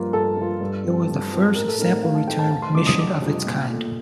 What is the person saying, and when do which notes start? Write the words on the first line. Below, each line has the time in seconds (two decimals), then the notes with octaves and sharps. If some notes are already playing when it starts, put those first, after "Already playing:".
It was the first sample return mission of its kind.
Already playing: G2 F3 A#3 F4
0.13 G2 A4
0.37 F3 A#3 F4
0.61 G2
0.84 F3 C4 F4
1.09 G2
1.32 F3 C4 F4
1.55 A1 A#4
1.68 A4
1.79 A2 A3 C4 D#4 A#4
2.03 A1 F5
2.15 A5
2.27 A2 A3 C4 D#4 G5
2.39 A5
2.51 F1 A5
2.62 C6
2.75 F2 C3 G3 D4 D6
2.87 D#6
2.98 F1 D6
3.22 F2 C3 G3 D4
3.46 A#1
3.70 A#2 A3